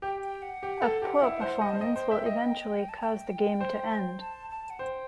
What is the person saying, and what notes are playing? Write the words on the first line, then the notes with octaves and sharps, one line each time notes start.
A poor performance will eventually cause the game to end.
G4 G5
G5
F#5
G4
A4
G4
E4
C5
D#5
A5
C5
D#5 G5
C5
E5
D#5
A5
G5
C5
A5
A5
F#5
C5 G5